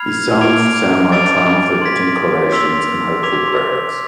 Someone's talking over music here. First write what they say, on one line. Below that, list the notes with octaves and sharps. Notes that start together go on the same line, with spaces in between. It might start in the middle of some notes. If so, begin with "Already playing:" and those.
His songs sound like triumphant declarations and hopeful prayers.
Already playing: B5 F6 G#6 C7 F7
D6 G#6 D7 F7
D6 A6 D7 F7
C6 G#6 B6
C6 E6 B6 F7
D6 G#6 B6 F7